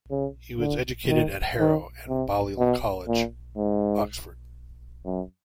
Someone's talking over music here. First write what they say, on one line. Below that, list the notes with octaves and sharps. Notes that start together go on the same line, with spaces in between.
He was educated at Harrow and Balliol College, Oxford.
C#3
D3
D#3
D#3
C3
B2
A#2
G#2
F#2